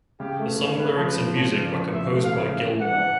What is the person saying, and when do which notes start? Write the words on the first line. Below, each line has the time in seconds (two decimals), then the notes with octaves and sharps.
The song lyrics and music were composed by Gilmour.
0.20 C#3 G4
0.39 A3
0.58 C#3
0.78 C#3 B4
0.97 F3
1.07 B4
1.16 C#3
1.36 F3 C#5
1.55 C#3
1.65 D5
1.74 F3
1.94 C#3 E5
2.14 A3
2.23 F5
2.33 C#3
2.52 E3 F5
2.72 E3
2.81 F#5
2.91 D4